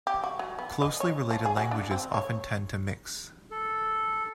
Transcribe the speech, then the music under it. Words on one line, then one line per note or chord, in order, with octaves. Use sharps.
Closely related languages often tend to mix.
G4
F#4
F#3
B3
D#5
C#5
F3
G#4
F#4
D4
C4
C#5
A4